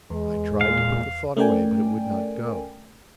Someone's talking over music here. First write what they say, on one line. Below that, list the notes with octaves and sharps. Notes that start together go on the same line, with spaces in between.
I tried to put the thought away, but it would not go.
E2 G#3
A#2 F5
A3 C#4 A#4 D5 G5 G#5